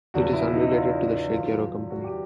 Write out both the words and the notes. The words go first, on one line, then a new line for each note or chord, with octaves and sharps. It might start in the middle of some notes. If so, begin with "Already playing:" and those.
It is unrelated to the Czech Aero company.
E2 C#3 F3 F#4
E4
D#4
F4
F#2 D#3 F#3 F4
F#4
G4